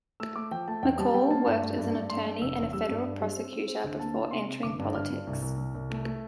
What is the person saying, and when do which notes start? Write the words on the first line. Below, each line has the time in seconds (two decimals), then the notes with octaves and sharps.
McCaul worked as an attorney and a federal prosecutor before entering politics.
0.20 A3 E6
0.36 A3 D6
0.51 F3 G5
0.68 A3 A5
0.83 E2 G5
0.99 G3 A5
1.14 G3 G5
1.30 A#3 A5
1.47 G2
1.62 A3
1.78 G2
1.94 G2
2.09 A3 C6
2.25 A3
2.41 F1 E6
2.58 E2
2.73 G3 E6
2.89 G2
3.05 G2
3.21 G3
3.37 C4
3.52 C4
3.68 C4
3.84 D2
3.99 A#3 A5
4.15 A#3
4.31 C3 C6
4.47 C3
4.63 G1 D6
4.79 G2
4.94 G1 F6
5.10 G2
5.27 C2
5.42 C2
5.57 C2
5.74 C2
5.90 A3
6.06 A3